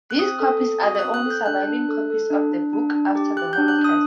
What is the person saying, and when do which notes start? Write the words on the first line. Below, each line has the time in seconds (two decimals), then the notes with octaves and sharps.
These copies are the only surviving copies of the book after the Holocaust.
0.11 F#6
0.19 C4 D#6
0.40 A4
0.62 C4
0.83 F#4 D#6
0.95 D#6
0.99 F#6
1.04 C4
1.14 F#6
1.25 A4
1.31 G6
1.46 D4 F#6
1.68 D4
1.89 A4
2.10 A4
2.30 D4
2.52 D4
2.73 D4
2.95 D4
3.15 G4
3.37 G4 F#6
3.53 D4 G6
3.68 F#6
3.79 D4
3.84 D#6